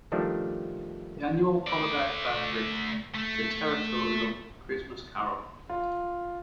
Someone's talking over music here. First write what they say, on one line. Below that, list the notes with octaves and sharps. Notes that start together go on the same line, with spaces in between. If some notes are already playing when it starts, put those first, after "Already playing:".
The annual holiday favorite is A Territorial Christmas Carol.
D#3 F3 G3 A3 D4
A3 D5
A3
F4